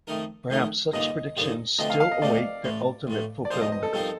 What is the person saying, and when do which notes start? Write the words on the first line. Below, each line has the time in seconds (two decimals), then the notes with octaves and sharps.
Perhaps such predictions still await their ultimate fulfilment.
0.07 F2 D#3 A3 D#4 A#4
0.50 F2 D#3 A3 D#4 A#4
0.93 G2 D3 F3 A#3 D#4 D#5
1.37 G2 D3 F3 A#3 D#4
1.79 D2 D3 F3 A3 C4 D#5
1.90 F5
2.00 F5
2.12 D#5
2.22 D2 D3 F3 A3 C4 D5
2.64 A1 A2 A3
3.07 A1 A2 A3
3.45 D5
3.50 G2 F3 C4 D#4 A#4 C5
3.61 D#5
3.72 D#5
3.83 A4
3.93 G2 F3 C4 D#4 A4 A#4